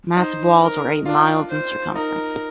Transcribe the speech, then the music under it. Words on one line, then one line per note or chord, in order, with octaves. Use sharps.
Massive walls were eight miles in circumference.
D#4 C5
A#4
D4 F4
C5
D#4 A#4